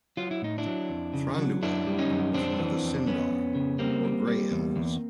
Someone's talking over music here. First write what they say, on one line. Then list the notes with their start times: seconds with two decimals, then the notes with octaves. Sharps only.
Thranduil was one of the Sindar, or Grey Elves.
0.17 F#3 F4
0.31 E4
0.42 A2 D#4
0.58 D4 E4
0.66 F#3
0.90 F2
1.14 C#3
1.38 F#3
1.62 F#2 D4 E4
1.87 G3
1.98 C#4 D#4
2.10 F#2
2.34 F2 C4 D4
2.59 E3
2.83 F2
3.07 F2 B3 C#4
3.31 F2
3.55 C#3
3.79 G3 A#3 C4
4.04 G3
4.28 G3
4.51 E2
4.76 E2